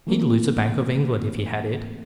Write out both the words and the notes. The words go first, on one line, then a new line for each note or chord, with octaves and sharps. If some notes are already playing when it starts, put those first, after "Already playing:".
He'd lose the Bank of England if he had it.
E3 A3 A#3 C4